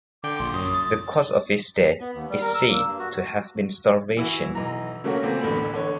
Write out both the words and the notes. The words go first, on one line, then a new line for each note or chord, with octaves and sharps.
The cause of his death is said to have been starvation.
D3 G5 D6
A#1 C6
F#2 D#6
A6
B3
D#2
G3
A#4
E6
A#3
G2
F#4
E3 E4 F#4
B1 E3 A#5
C#3 F#3 A3 A#3 C#4 F#4
A#2 E3 A3 A#3 C4
A1 D2 A3 B3 B5
D3 C#5